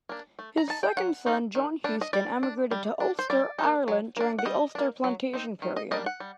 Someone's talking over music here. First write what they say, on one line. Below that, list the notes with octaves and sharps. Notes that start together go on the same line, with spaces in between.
His second son John Houston emigrated to Ulster, Ireland during the Ulster plantation period.
A#3 D4
A3
A#5
D#4 A5
G5
F#3 F#5
A3 C4 D#4
D#3
G3 D4
D#5
G3 D5
D4
G3
D4
C5
G3 D5
A#3 D#4
F#3
A#3 D4
F#5
G3 D#5
A#3 D4
F#3
C4 D#4
D#3
D#5
G3 A#3 D4 D#5
F#5
G3